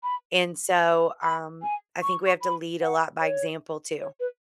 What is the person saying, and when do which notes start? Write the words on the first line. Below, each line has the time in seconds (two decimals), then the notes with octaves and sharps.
and so, um, I think we have to lead a lot by example too
0.03 B5
1.22 B5
1.62 G#5
2.02 C#6
2.26 C#6
2.42 B5
2.81 F#5
3.21 C#5
4.00 C#5
4.20 B4